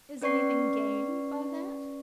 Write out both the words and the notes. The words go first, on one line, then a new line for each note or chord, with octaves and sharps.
"Is anything gained by that?"
C#4 B4 D5 C#6 C7